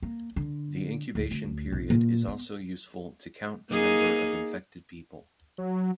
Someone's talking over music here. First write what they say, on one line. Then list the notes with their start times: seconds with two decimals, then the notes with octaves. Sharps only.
The incubation period is also useful to count the number of infected people.
0.02 A#3
0.36 D3
1.15 D2
1.31 D2
1.72 B1
1.90 A#2
2.27 B3
3.70 A#3 D#4 G#4
5.58 F#3